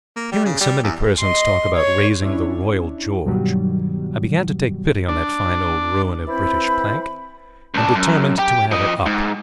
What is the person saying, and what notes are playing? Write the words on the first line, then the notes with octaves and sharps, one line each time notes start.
Hearing so many persons talk about raising the "Royal George," I began to take pity on that fine old ruin of British plank, and determined to have her up.
A#3
G3
C#3
G3
E2
D#5 C6
C#5
C#4 D4 E4
G2 B2 D#3 F#3 G3
D4
E3 C4 E4 C5 B5
C#2 D4
F#2
G4
F3 D#5
G#2